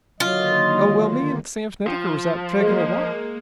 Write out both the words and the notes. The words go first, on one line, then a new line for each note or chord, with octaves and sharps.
Oh, well, me an' Sam Snedecker was out takin' a walk.
D3 D#3 F#3 A#3 F4 D#5
F3 G5
G#3 A#3 G#4 D#5